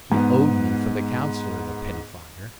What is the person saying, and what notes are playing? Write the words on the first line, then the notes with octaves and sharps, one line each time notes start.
"He owed me for the councillor, the pettifogger!"
G#2 B3